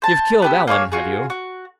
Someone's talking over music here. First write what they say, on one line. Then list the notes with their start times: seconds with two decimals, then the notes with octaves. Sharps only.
You've killed Alan, have you?
0.02 C5 A5
0.42 B3 G4 E6
0.67 A#3 G#4 C5 C#5
0.92 F4 F#4 G#4
1.30 F#4